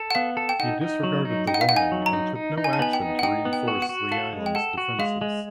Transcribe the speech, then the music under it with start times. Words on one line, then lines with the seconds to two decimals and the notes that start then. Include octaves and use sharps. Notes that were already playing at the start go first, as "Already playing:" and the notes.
He disregarded the warning and took no action to reinforce the island's defenses.
Already playing: A4
0.11 F#5
0.15 B3 F5
0.37 A4
0.49 G5
0.59 D#4 F#5
0.81 D#4
1.04 F#3
1.25 D#4
1.47 D#4 G5
1.54 F#5
1.61 F5
1.69 D#4 F#5
1.76 G#5
1.92 F#3
2.06 A#5
2.13 D#4
2.35 D#4
2.58 D#4
2.64 G#5
2.73 A5
2.79 B3 G#5
2.93 G5
3.02 D#4
3.19 F#5
3.23 D#4 G5
3.45 B3
3.53 G5
3.68 F#4
3.82 F#5
3.89 F#4
4.11 A4 F5
4.33 G#3
4.46 G5
4.55 A4 F#5
4.78 F#4
4.99 G#3 F5
5.21 G#3